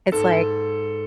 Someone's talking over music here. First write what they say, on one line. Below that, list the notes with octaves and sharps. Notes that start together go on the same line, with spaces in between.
It's like
G#2 A4